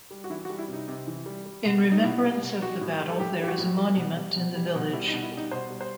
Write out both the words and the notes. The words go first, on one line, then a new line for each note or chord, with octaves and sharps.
In remembrance of the battle there is a monument in the village.
G3
F#4
E3 E4
F#4
G3
E4
C3
D#4
C3
E3
G3
G3
B2
G3
D#4
B2 E4
G3
B2
G3 F#4
A2
G3
A4
A2 G4
G3 G4
F#4
A2
G3
B2
G3
B2
G3
B2
G3 E4
D#4
B2
E4
G3
D#4
B2 C5
G3
C5